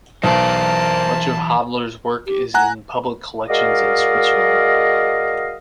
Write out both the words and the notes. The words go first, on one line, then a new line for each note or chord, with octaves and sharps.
Much of Hodler's work is in public collections in Switzerland.
B1 E3 A#3 A#4 C5 D5 A5
G4
F#5 G#5 A#5 F#6
G#3 F#4 A#4 D5 D#5 F5